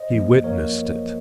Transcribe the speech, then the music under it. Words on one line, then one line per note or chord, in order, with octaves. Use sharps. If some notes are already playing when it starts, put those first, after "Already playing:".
He witnessed it.
Already playing: C5 D#5
F#2 F3 A#3
F3 A#3 A#4 C#5